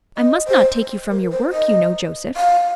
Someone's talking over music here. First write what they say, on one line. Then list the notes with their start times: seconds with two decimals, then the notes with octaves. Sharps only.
"I must not take you from your work, you know, Joseph."
0.17 D#5
0.47 C5
1.11 A#4
1.31 C5
1.52 D#5
2.37 F5